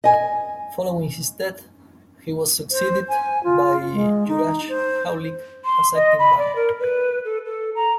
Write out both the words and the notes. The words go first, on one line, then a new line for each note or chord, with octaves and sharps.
Following his death he was succeeded by Juraj Haulik as acting ban.
D#5 G#5
C5
G#5
F4
G#3
D#4
C5
C6
D#5
B5
D5
A#4
B4
A4
A4
A#5